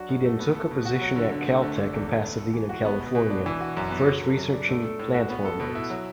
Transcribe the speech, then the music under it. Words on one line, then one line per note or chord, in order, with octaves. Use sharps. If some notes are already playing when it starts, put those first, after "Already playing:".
He then took a position at Caltech in Pasadena, California, first researching plant hormones.
Already playing: F#3 D4 F#4
F#2
A3
B3
A4
B2
F#4
F#3
D3
D3
A3
D3
D4
E2
A3
B3
A4
E3
F#4
B3
B2
B2
D4
E3
F#4
F#2
B3
F#3
A4
F#2
D4
A3
A4
A2
F#4
B3
A4
B2
E4
F#3